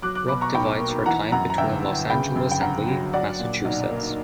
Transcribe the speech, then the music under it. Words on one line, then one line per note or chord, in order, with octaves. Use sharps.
Rupp divides her time between Los Angeles and Lee, Massachusetts.
F#3 D6 F#6
D6 F#6
B2 B5 D6
A#5 C#6
B1 G5 B5
A#3
E3 F#5 A#5
F#2 F#5 A#5
A#5
G1 E5 G5
G1
C#3 G5 B5
F#2
G5
G1 F#5 A#5
F#3
F#3 D5 F#5
A#2
B1
A#3